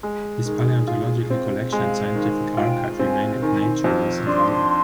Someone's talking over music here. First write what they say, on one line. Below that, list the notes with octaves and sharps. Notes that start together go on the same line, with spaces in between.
His paleontological collection and scientific archive remain at Naturalis in Leiden.
G#3
D#3 G#4
F4
C4
G#3 F5
D#3
F4 G5
C4 G#5
D#3 G#5
F2
D4 C6